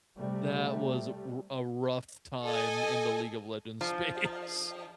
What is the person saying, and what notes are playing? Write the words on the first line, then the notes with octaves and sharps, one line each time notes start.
That was a r a rough time in the League of Legends space.
C3 G3 A3
A4 D#5 G#5
F3